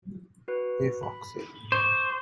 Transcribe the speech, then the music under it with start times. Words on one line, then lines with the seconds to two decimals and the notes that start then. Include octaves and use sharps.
Hey Foxy!
0.48 F#4 B4
1.03 B5
1.72 C5 C#6 D6 G6